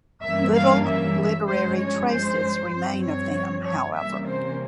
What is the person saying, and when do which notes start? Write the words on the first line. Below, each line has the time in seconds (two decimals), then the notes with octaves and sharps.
Little literary traces remain of them, however.
0.23 G2 E3 G3 A#3 C#4 E5
0.56 F5
0.86 E5
1.48 G2 F3 G#3 C#4 C5
1.79 C#5
2.10 C5
2.72 G2 F3 C4
3.03 C#5
3.65 C#5
3.96 C3 E3 G3 A#3 C#4 E5
4.28 C5